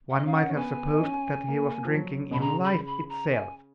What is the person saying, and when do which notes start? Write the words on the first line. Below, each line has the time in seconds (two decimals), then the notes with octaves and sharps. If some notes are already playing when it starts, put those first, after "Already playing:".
One might have supposed that he was drinking in life itself.
0.10 F#5
0.17 D#5
0.25 C#4 F5
0.33 F#5
0.50 C#4
0.56 B3 G#5
0.94 D#4
1.03 C#4
1.48 A#3
1.85 F3
1.94 F#3
2.31 B2 B5
2.40 C#3 A#5
2.64 B5
2.87 B5
3.09 A#5
3.33 G#5